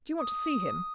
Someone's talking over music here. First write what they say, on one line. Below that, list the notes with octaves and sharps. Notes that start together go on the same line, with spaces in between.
Do you want to see him?
D#6